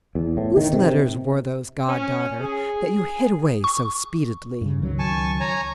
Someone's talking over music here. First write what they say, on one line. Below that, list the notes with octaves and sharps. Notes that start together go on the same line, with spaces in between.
Whose letters were those, god-daughter, that you hid away so speedily?'
E2
A2
D#3
C3
C#4
G#4
C#6
G2 C#3
C#2 D#3 F#3
G#5 A5 C#6
C#5 G#5 A#5